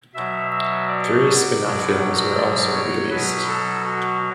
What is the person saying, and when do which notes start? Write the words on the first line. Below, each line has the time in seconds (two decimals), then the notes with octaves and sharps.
Three spin-off films were also released.
0.14 B2 F#3 E5
0.51 E5
0.88 D5
1.63 B2 F#3
2.37 D5
2.74 C#5
3.10 B2 F#3 B4
3.48 A4
3.85 F#4